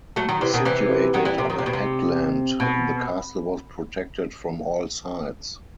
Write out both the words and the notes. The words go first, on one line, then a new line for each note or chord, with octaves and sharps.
Situated on a headland, the castle was protected from all sides.
F#3 A3
D#3 F#3
C3 E3
B2 D#3
C3 E3
D#3 F#3
E3 G3
C3
D#3
C3
B2
C3
B2